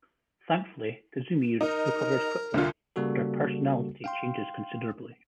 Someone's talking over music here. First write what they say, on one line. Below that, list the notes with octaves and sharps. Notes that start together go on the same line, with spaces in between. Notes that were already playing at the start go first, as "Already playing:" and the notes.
Thankfully, Kazumi recovers quickly, but her personality changes considerably.
D#4 A#4
C2 D3 F4
C#3 G3 A#3 F#4 A4
F5 G5 C6